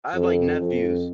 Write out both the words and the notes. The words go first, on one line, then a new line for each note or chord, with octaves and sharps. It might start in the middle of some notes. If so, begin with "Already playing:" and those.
I have, like, nephews.
F2
F2